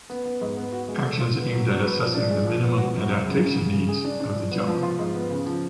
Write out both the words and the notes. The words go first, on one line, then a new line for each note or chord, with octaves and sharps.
Actions aimed at assessing the minimum adaptation needs of the job.
B3
B3
G#2
B3
F#4
G#3
A4
F4
B3
F#3
F#3
B4
F3
D4
G#3
F3
B3
F#4
F#2
F#2
C#3
C#3
C#3
C#3
G#4
D4
D4
F3
B3
F3
F4
G#2
B3
C#3
F3